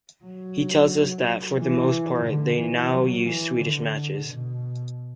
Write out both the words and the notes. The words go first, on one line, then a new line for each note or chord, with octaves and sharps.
He tells us that for the most part they now use Swedish matches.
F#3
E3
D3
E3
F#3
E3
D3
B2